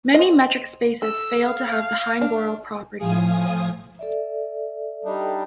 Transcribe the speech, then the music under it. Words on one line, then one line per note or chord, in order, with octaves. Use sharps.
Many metric spaces fail to have the Heine-Borel property.
C4 D#5
A4 E6
F5
D4
A2 F3 F4 G#5 D#6
A4 D5 E5
G3 D4 D#4